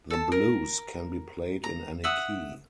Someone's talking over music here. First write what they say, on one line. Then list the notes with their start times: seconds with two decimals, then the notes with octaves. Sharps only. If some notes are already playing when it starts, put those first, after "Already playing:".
The blues can be played in any key.
0.10 A4 A5
0.32 A#4
1.64 A#5
2.04 E5 F#5 D#6